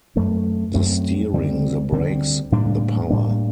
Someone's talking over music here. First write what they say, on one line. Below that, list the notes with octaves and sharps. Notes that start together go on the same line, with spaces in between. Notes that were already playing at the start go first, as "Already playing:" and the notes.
The steering, the brakes, the power.
F#2 F#3 A3 C4
F#2 F#3 A3 C4
D2 D3 G3 C4
D2 D3 G3 C4
A2 G3 A#3 D4
A2 G3 A#3 D4